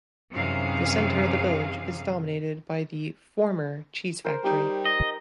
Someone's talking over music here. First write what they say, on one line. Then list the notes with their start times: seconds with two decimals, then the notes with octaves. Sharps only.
The centre of the village is dominated by the former cheese factory.
0.32 F#2 C3 D#3 E3 G#4 F5
4.25 A#4 C5
4.44 G3 D#4 G4
4.85 D#5